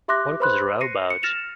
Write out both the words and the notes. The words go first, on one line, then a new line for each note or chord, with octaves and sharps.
What was the row about?
G4 E5 C6 D6 F#6 A#6
B4 C5 B5 C6 F#6
A#6 C7 C#7 D#7
C#7
F6 A6 A#6 E7 F7